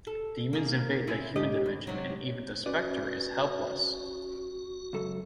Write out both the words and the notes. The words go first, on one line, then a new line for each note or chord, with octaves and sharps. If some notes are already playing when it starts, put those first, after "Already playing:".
Demons invade the human dimension and even the Spectre is helpless.
A4
A#3 G#4
E4 F4 G#4
G#2 G4 D#5
E2
C3 F#3
C#4 F#4 B4 D5
C#2 F#2 A4